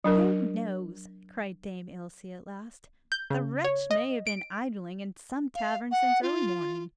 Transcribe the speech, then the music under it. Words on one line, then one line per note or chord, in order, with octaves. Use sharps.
'Who knows?' cried Dame Ilse at last, 'the wretch may have been idling in some tavern since early morning.'
F#3 D4 A#4
G6
C#3
C#5
D#5
D7
F5
F#5
F4